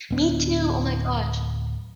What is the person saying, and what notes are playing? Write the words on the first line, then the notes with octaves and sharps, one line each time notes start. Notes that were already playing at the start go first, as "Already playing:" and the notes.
Me too! Oh my gosh.
D1 B3 D4